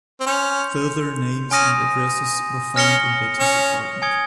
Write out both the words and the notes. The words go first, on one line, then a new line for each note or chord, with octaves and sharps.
Further names and addresses were found in Betty's apartment.
C4
C#4 C6 G6 C#7 F7
C#4 G#5 D#6 A#6 D#7
C#4 F6 A#6 C#7 G7
C#4
G#5 D#6 G#6 C#7 G7